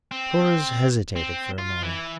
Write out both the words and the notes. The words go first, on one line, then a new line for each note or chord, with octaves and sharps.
Torres hesitated for a moment.
C4
C4
F4
E3